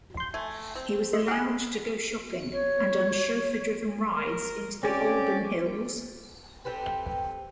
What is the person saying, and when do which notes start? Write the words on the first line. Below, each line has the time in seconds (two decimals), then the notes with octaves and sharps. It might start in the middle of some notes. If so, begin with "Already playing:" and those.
He was allowed to go shopping, and on chauffeur-driven rides into the Alban hills.
0.17 C6 G6
0.34 A3 G#5
0.75 C4
1.13 G#3 A3
1.28 G4 G#4 F#5
2.52 C#5
4.12 A#4
4.83 C4 C#4 G4 D5
6.65 C4 G4 A4 B4